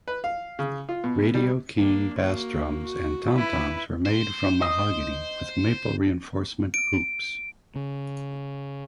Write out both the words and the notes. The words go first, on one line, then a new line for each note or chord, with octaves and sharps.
Radio King bass drums and tom-toms were made from mahogany, with maple reinforcement hoops.
B4
F5
C#3
F4
B2
G3
A#3 D4
A#3 F#4
F#4
E4 B4
C5
D#5
D7
C#3